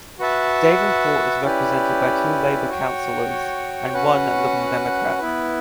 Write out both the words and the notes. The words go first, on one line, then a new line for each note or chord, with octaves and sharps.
Davenport is represented by two Labour councillors and one Liberal Democrat.
F#4 B4 E5 A5
C#4 E4 G4 B4 D5
F#4 C#5 G5
C#4 F#4 B4 F#5
B3 E4 B4